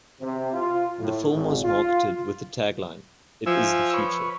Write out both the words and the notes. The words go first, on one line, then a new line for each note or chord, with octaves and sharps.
The film was marketed with the tagline It is the future.
C3
F4
A2
G#1
F4
F3 E5 G#5 E6
B4 C#5